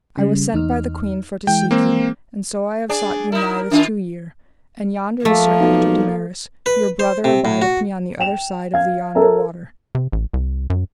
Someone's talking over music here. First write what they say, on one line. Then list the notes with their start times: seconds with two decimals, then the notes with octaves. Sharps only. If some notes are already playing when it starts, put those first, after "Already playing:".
I was sent by the queen for to seek you, and so I have sought you nigh this two year, and yonder is Sir Ector de Maris, your brother abideth me on the other side of the yonder water.
0.18 C#3 G3
0.53 E2 D#4 F6
1.47 E3 G#3 G5
1.71 A#3 C4
2.89 D4 G#4 D5
3.32 D#4 E4 A#4
3.71 D#3 D4 F4
5.25 F3 A3 A#3
5.60 B1
6.66 B4
7.00 C5
7.24 C3
7.45 A2
7.62 F#4
8.20 G5 E7 F7
8.74 F5 G#6
9.15 A4 A#4 E5 A#5
9.95 C3
10.12 A1
10.33 C2
10.70 F#2